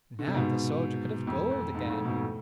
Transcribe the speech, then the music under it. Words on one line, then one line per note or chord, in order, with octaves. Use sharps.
Now the soldier could have gold again.
D3
C3
G#2 B2
F2 A2
F2
G#2
F2 A2
G#2 B2
A2